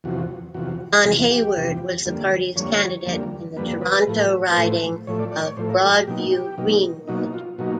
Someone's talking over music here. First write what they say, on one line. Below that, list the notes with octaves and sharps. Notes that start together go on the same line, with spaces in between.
Don Hayward was the party's candidate in the Toronto riding of Broadview-Greenwood.
E2 C3 F3 F#4
E2 C3 F3 F#4
E2 C3 F3
G4
E2 C3 F3
F2 D3 G3 A#3
F2 D3 G3 A#3 C#5
F2 D3 G3 A#3
F2 D3 G3 A#3 B4
B4
A2 F3 A3
B4
A2 F3 A3 C5
A2 F3 A3 C#5
D5
D5
C#5
A2 F3 A3 C5
A#4
A4
G4
B2 F#3 A#3 D#4 G4
G4
B2 F#3 A#3 D#4
B2 F#3 A#3 D#4 F#4
F4
B2 F#3 A#3 D#4 F#4